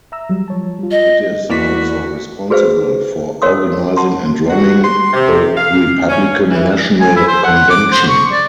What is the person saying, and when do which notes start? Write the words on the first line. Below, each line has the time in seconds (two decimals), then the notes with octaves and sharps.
It is also responsible for organizing and running the Republican National Convention.
0.12 E5 A#5 E6
0.30 F#3 G3
0.48 F3 C#5 A5
0.79 G3 F4
0.91 D#5
1.49 E2 E3 A#3 F#4 D5 B6
2.50 F#4 G#4 B4 C5 F5
3.42 A#4 C#5 F5 C6 D#6
3.97 F#5 A5 C6
4.50 F#4
4.84 C6
5.13 C3
5.57 F5
6.09 C#4
6.51 E3
7.00 G#5
7.16 E4
7.27 C5
7.43 F#5
7.70 D6
7.92 C5
8.09 C#6
8.32 D5